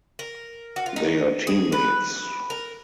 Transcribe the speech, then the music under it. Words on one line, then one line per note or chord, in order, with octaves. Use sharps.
They are teammates.
A#4
F#4
F4
D#4
G#4
B4
A#4